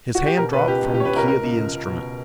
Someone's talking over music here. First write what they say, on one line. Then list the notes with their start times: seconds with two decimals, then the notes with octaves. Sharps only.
His hand dropped from the key of the instrument.
0.15 F#4
0.26 G4
0.37 B2 A#4
0.53 B2 B4
0.68 C#2 G4
0.83 C#2
0.94 G4
0.98 B2 C#5
1.05 B4
1.13 C#2 A#4
1.28 C#2 A#4
1.43 C#2
1.58 C#2
1.73 C#2
1.89 B2